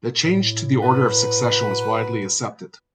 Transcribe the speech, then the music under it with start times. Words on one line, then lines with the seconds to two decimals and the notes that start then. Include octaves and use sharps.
The change to the order of succession was widely accepted.
0.14 A2
0.83 F#4 A#4 B4